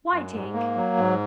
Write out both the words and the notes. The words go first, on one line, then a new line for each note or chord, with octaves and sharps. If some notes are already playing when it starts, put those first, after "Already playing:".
"Why, Tink?"
F#2
G#2
A#3
F#3
G#2